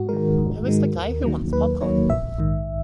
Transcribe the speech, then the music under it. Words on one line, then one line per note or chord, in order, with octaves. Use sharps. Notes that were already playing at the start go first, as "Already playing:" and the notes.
Who is the guy who wants popcorn?
Already playing: G#2 F#4
D#3 G#3 A#4
G#2
D#3 G#3
D#2
D#3 F#3 A#3
D#2 B4
D#3 F#3 A#3 C#5
A#1 E5
G#2 D#3